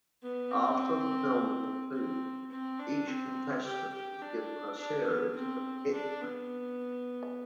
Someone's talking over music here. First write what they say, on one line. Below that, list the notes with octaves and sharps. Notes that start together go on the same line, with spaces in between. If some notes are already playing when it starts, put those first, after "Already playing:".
After the film concluded, each contestant was given a series of "hit men".
B3
C4
C4
C4
D4
C4
G4
G4
D4
D4
B3
C4
D4
B3